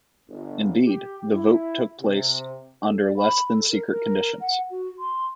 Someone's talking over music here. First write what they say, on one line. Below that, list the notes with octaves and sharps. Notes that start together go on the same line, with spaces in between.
Indeed, the vote took place under less-than-secret conditions.
G1
G4
E4
C3
A4
D5
B5
A4
A#4
A#4
F#5
F#4
C6